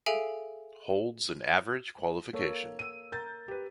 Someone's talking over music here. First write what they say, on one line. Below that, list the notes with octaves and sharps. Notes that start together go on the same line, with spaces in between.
Holds an average qualification.
G#4 A4 E5 F5 G#5 D7
A#3 A4 C#5
E6 D#7
A#4 G6 A6
G4 B4